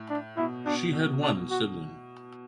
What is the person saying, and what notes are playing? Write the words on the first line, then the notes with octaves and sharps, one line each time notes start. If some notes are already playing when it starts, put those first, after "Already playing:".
She had one sibling.
Already playing: A2
D4
B2 E4
B2 D4
B2
D4
F#4